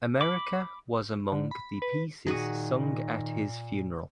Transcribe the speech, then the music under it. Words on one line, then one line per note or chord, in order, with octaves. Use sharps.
"America" was among the pieces sung at his funeral.
B5 D6
D3
B5
B4
A#2 D#3 F#4 G#4 D#6